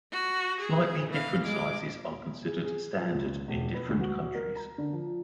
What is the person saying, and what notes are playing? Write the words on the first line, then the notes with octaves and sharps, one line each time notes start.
Slightly different sizes are considered "standard" in different countries.
F#4
G#4
E3 F5
G#3 D6
G#4
G#4
F3
C#2
E1
B4
D2
F#4
A#4
A#5
D3
F3